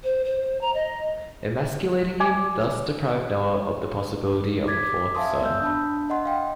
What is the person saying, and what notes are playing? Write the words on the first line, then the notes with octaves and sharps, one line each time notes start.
Emasculating him thus deprived Noah of the possibility of a fourth son.
C5
C5
A#5
D#5
D5 G#5 D6
D6 G#6 A6 B6
E5 F5 G#5 A5 C6 D#6
B3 E6 G6
D4 A5 B5
D#5 F#5 C6
F5 G5